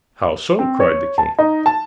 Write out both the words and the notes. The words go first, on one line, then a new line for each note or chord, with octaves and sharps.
"How so?" cried the king.
C4
C#5
A5
D#4
A5